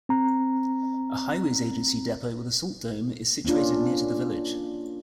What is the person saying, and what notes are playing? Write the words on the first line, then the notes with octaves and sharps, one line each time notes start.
A Highways Agency depot with a salt dome is situated near to the village.
C4 A#5
A#3 C#4 D4 F4